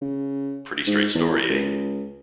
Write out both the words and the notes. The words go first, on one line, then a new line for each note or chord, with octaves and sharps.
Pretty straight story, eh?
C#3
G#2
E2
C#2